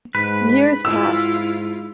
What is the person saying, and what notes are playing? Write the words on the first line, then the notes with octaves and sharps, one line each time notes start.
Years passed.
G#2 B4
G#2 E4 F4 E6